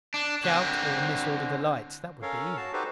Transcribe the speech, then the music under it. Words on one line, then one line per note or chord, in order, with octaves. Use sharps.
Shout, or mis-order the lights. That would be easy.
D4
D3 C4
C#4 A4 A#4 C#5 F5
F#4 A5
D#4 F#4 G4 A4 B4 C5